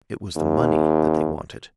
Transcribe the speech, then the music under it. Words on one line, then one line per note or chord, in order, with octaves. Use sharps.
It was the money that they wanted.
D#2